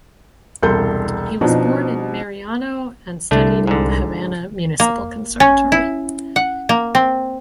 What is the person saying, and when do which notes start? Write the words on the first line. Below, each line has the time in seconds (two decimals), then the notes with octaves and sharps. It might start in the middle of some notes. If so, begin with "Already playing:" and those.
He was born in Marianao and studied at the Havana Municipal Conservatory.
0.62 E1 C2 A4 C6 G6
1.41 B2 F3 C4 D4 D#4
3.31 C2 D3 A3 D4
3.67 G#2 D3
4.80 A#3
5.40 C#4
5.72 E4
6.36 F#5
6.69 A#3
6.95 C4